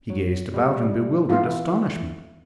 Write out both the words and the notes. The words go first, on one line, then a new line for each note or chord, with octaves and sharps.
He gazed about in bewildered astonishment.
F#3
B2 G3 A3
E3 B3 F4 A4 E5